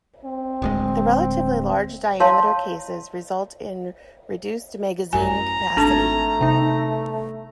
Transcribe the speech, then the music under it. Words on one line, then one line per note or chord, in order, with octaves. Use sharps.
The relatively large diameter cases result in reduced magazine capacity.
C4
D1 D2 G#3
E4 A#4 C#5 F5 A5 C6
A1 F#2 G#5 A#5
G#1 A3 D4 A4 A5 G#6 A6
G1 C3 D#4